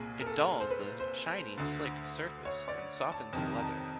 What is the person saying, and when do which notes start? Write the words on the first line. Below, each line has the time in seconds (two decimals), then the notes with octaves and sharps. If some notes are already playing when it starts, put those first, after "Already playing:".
It dulls the shiny, slick surface and softens the leather.
Already playing: C2 A#2 G#4
0.21 A#4
0.26 A4
0.60 C5
0.70 B4
1.00 C5
1.58 D2 D3
2.45 C#5
2.68 D5
3.12 A5
3.33 F2 C3 D#3 A5
3.58 A#5
3.62 A5